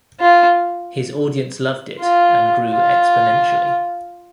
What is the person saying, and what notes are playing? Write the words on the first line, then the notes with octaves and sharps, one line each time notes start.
His audience loved it, and grew exponentially.
F4
F4
F4